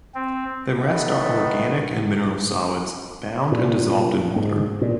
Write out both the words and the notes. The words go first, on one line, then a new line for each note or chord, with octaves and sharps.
The rest are organic and mineral solids bound and dissolved in water.
C4
A1 D#3 A3 B3
A#2
G#2
A#2